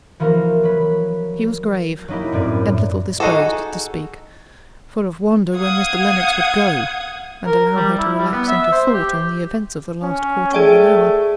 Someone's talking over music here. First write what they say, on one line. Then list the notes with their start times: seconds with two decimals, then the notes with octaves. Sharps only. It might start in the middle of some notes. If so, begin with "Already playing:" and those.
She was grave, and little disposed to speak; full of wonder when Mr. Lennox would go, and allow her to relax into thought on the events of the last quarter of an hour.
0.20 E3 F3 A#3 F#4 A#4
0.63 F#3 B4
2.08 F#3 A#3 D#4 E4 G4
2.32 F#2 A2 C4 D5 D7
3.20 D#4 F#4 G#4 A4
5.57 F5 F#5 D#6 G#6
7.46 A#4
7.76 G3
7.98 E4
8.18 G3
8.32 B3
8.48 E5
8.72 C5
8.93 G4
10.03 C#4
10.53 A3 G#4 D5 G5